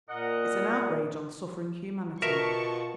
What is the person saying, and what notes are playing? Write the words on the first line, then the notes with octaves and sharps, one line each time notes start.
It's an outrage on suffering humanity.
A#2 A#4 D#5 F#5
B2 F4 A#4 E5 A5 C#6